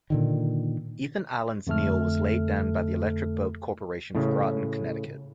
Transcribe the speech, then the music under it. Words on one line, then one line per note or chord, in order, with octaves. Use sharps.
"Ethan Allen"s keel was laid down by the Electric Boat Corporation of Groton, Connecticut.
A#2 D3 D#3
F2 D3 A3 A4 F6
A2 C#3